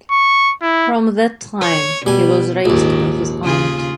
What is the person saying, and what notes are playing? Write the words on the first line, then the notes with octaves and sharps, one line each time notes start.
From that time he was raised by his aunt.
C#6
E4
C#5
B2 G3 G#5
A#1 D#2 G#2 D#3
C#3 F4 G#4